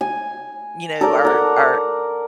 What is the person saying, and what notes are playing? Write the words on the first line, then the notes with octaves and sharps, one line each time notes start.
you know, our our,
G#5
A4 A#4 D5
A#4 F#5